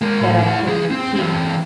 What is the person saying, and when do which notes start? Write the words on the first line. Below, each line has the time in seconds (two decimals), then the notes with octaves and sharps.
that I can keep
0.01 G#3 A#4
0.21 A2
0.43 E4 F#5
0.67 C#2 G#4
0.91 C4
1.16 E3 C4